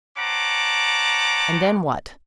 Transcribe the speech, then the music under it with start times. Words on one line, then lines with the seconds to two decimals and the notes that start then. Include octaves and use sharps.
"And then what?"
0.17 C4 C#5 F#5 A5 A#5 D6